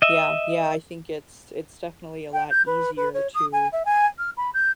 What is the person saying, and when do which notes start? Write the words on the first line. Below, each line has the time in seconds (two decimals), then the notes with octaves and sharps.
Yeah, yeah, I think it's it's definitely a lot easier to
0.02 D#5 E5
2.33 G5
2.50 G6
2.66 B4
2.96 B4
3.14 C#5
3.34 D#6
3.52 G#5
3.72 E5
3.85 G#5
4.18 F6
4.37 B5
4.54 G6